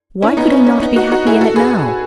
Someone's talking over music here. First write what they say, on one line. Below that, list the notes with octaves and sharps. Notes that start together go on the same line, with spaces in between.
Why could he not be happy in it now?
C#4 E4
B3 D#4
C#4
C#4
B3 D#4
D#4 F#4
D#4 F#4
E4 G#4
F#4 A4
G#4 B4